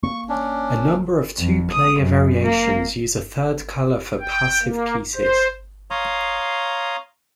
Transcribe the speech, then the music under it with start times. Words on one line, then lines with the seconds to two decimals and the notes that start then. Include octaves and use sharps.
A number of two-player variations use a third colour for passive pieces.
0.03 A#3 C#6
0.29 C#4 D4
1.39 F2
1.71 D#6
2.01 F#2
2.43 A#3
4.20 G5
4.63 A#3
5.15 C5
5.91 C#5 F5 A#5 C6 D#6